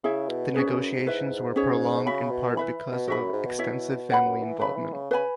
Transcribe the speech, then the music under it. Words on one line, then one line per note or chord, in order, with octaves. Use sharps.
The negotiations were prolonged in part because of extensive family involvement.
C#3 E4 G#4 E5
B2
G#2 C#4 G#4 B4
F#2
F#2
G#2
E4 B4 E5
C#4 G#4 C#5
C#3 F#4 E5 B5
B2
E3 B4 E5 B5
B2
G#2 F#4 E5 B5
F#2
G#2
B2
E4 C#5 E5
F#2 B4 F#5 B5
F#2
E3
C#3 B4 E5 B5
E3
C#3
C#3 B4 G#5 B5